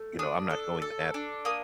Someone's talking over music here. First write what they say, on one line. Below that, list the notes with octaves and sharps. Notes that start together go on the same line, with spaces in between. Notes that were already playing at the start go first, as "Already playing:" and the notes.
you know I'm not going that
Already playing: A3
D4 D#6
A4
A4
D4
A#3 D#6